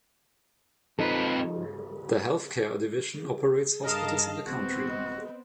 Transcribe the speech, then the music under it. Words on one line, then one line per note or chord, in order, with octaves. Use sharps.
The health care division operates hospitals in the country.
F2 F3 D#4 A4 B4
G#4
G2 A#4 D#5 F5 A5
D#1 B3 C4 F#4
D#5